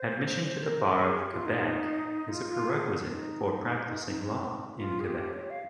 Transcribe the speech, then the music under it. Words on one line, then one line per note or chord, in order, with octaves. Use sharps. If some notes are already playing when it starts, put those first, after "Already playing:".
Admission to the Bar of Quebec is a prerequisite for practising law in Quebec.
Already playing: C5
A#4
A#4
G#4
G4
F4
D#4
F4
F4
G#4
D#4
F4
G#4
G4
C#5
F5